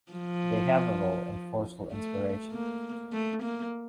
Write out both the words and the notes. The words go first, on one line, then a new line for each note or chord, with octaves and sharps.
They have a role in forceful inspiration.
F3
A3
A#3
A3
A#3